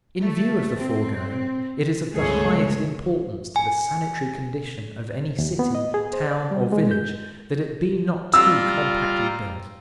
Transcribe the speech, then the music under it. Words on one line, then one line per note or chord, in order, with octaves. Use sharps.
In view of the foregoing, it is of the highest importance to the sanitary condition of any city, town, or village that it be not too compactly built.
A3
C4
G1 C#2 A3 G#4 C#5
G#5
D#2
B3
D#5
G#4
C5
D5
G3
G#3
G6
G3 F4 A#5 E6